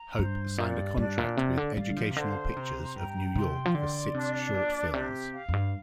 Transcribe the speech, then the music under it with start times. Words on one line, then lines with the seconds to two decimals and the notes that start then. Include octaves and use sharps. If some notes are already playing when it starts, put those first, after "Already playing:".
Hope signed a contract with Educational Pictures of New York for six short films.
Already playing: A#5
0.19 G2 C5
0.58 A#2 D5
0.78 G2
0.98 G2 D4
1.18 A#2
1.37 C3 D5
1.57 D3
1.77 G3 F5
1.90 D3
1.97 F3
2.11 C3
2.16 D3 C5
2.56 C3 A#5
2.96 G2 G5
3.35 C3 C6
3.65 F3
3.75 D3 D5
4.14 C3 D4
4.54 A#2 D5
4.94 C3 G4
5.33 F5
5.49 F2
5.53 G2